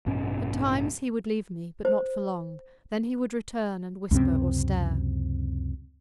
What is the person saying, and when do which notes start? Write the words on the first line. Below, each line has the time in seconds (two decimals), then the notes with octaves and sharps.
At times he would leave me, but not for long; then he would return and whisper or stare.
0.06 A1 G2 B2 C#4
1.85 C5
4.11 C#2 F#2 C3 C4